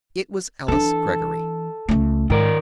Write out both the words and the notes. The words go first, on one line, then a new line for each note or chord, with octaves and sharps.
It was Alice Greggory.
E3 D4 A4
C#2 A3
G#2 D#3 A#4 D5